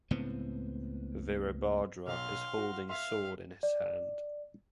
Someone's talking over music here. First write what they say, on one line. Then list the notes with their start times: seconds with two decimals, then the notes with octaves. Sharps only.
Virabhadra is holding sword in his hand.
0.11 C#2 A2 B3 C4
2.07 B1 F5 C6
2.57 F#4
2.89 E5 F5 C6
3.63 D5